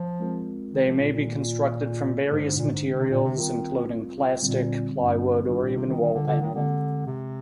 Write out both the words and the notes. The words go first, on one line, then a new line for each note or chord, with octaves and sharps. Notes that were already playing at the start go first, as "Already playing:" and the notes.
They may be constructed from various materials, including plastic, plywood, or even wall paneling.
Already playing: F3
G#3 C4 F4 A#4
D#3
F3
A#2
A#2
D#3 A#3 F4
G#2 D3 G#3 D4
G#2
A#2
G#2
C3
A#2
C3
D#3 G3 C4 F4 A#4
A#2 D3 G3 C4
G2
G#2 D#3 G3 D4 F4
A#2
C3
D#3
D#3
D3
D3
D#3
D3 G#3 C4 G4
C3